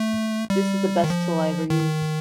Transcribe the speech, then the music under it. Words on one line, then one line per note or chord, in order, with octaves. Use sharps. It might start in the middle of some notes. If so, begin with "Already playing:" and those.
This is the best tool I've ever used.
Already playing: A3
G3
D#3
F3
D#3